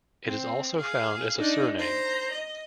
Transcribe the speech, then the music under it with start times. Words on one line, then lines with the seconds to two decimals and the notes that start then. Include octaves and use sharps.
It is also found as a surname.
0.25 C4
0.77 G#4 F5
1.38 D4 D#4
1.78 C5 A#5
2.31 D#5